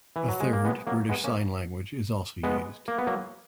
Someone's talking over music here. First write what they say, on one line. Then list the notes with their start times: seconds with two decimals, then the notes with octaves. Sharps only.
A third, British Sign Language is also used.
0.16 E3
0.28 F#3
0.40 G#3
0.53 A#3
0.65 G#3 B3
0.87 F#3 A#3
1.09 G#3 B3
1.24 A#3 C#4
2.43 G#3 B3
2.88 A#3
2.98 B3
3.07 F#3 A#3